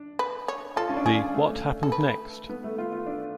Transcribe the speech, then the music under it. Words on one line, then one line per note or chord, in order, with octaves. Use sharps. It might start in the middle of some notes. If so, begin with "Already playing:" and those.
The What Happened Next?
Already playing: D4
B4
C#5
F4 A4
C#4
D4
G#4
D4
A3
A4
B4
B3
A3
F4
F4
D4